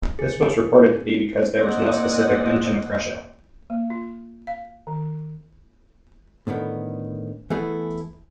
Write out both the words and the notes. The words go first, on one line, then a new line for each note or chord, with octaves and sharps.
This was reported to be because there was no specific mention of Russia.
G#4
A#3 C4 G#4 D5 D#5 F#5
A#3
F4
F5
D#3
A2 D3 D#3 B3
E3 A3 B3 E4 G#4 A4